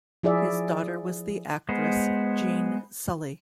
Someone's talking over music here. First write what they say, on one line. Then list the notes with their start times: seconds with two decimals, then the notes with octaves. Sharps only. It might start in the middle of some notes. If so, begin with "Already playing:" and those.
His daughter was the actress Jeanne Sully.
0.23 F3 E4 G#4 D5 E5
1.69 G#3 B3 C5